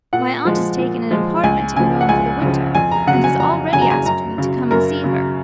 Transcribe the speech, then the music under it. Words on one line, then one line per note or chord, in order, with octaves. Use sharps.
"My aunt has taken an apartment in Rome for the winter and has already asked me to come and see her."
A#2 F#5
F3 G#3
A#2
F3 G#3
C#2 G#5
C#3 F3 G#5
F#5
C#2 G#5
C#3 F3
F2 G#5
A#5
C#3 F#3 F#5
G#5
F2 A#5
C#3 F#3 G#5
A#5
G#5
F#2 A#5
C#3 F#3
F#2 A#4
C#3 F#3